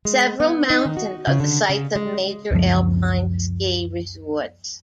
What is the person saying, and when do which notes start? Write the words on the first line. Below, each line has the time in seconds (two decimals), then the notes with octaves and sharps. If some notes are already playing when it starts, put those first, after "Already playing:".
Several mountains are the sites of major alpine ski resorts.
0.05 G#3
0.40 B3
0.70 D#4
0.85 D#3
0.97 F#4
1.27 C#3
1.40 D3
1.69 C#3
1.96 G#3
2.51 C#2 F#2 F3